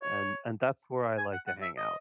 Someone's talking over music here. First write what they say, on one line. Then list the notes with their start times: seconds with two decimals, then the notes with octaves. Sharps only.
And and that's where I like to hang out,
0.02 C#5
1.18 G#5
1.33 F#5
1.47 F#5
1.62 E5
1.77 D#5